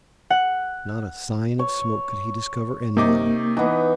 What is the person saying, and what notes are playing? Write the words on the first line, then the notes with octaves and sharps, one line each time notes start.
Not a sign of smoke could he discover anywhere.
F#5
C#5
C3 A#3 D#4 D6
E3 B3 D#4